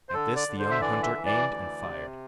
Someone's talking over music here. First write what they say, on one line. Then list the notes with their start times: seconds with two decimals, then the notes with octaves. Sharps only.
At this the young hunter aimed and fired.
0.09 C5
0.14 D3 A4
0.36 D5
0.48 D3
0.59 C5
0.71 E5
0.81 E3 D5
1.03 E5
1.15 E3
1.26 D5
1.48 D2
1.82 C3